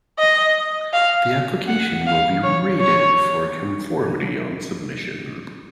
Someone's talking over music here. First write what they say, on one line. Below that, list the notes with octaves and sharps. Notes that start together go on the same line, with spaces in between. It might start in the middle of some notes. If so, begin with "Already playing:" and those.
The application will be rated for conformity on submission.
D#5
F5
F#5
F5
C#5
C#5